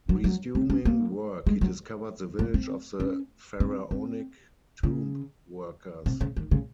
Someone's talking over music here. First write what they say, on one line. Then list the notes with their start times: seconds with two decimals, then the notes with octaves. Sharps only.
Resuming work, he discovered the village of the Pharaonic tomb-workers.
0.09 F#3
0.24 F#3
0.55 C4
0.70 C#4
0.85 A#3
1.47 G#3
1.61 F#3
2.39 A#3
2.54 C4
3.00 C#4
3.60 C4
3.91 C4
4.83 C#3
6.06 C3
6.21 C#3
6.36 D#3
6.51 C#3